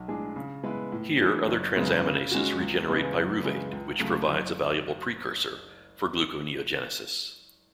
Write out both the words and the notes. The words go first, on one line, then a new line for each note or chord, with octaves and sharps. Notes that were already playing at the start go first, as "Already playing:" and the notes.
Here other transaminases regenerate pyruvate, which provides a valuable precursor for gluconeogenesis.
Already playing: B1
A2 G#3 D4 G#4
C#3
G#3 B3 E4 B4
A2
E3 B3 D4 F#4
F#1
F#2 C#3 G#3 B3
C#3
G#3 C#4 F#4
C#2
C#3 E3 G#3 B3
F#2
C#3 E3 G#3
C#2
C#3 F#3 A3
F#1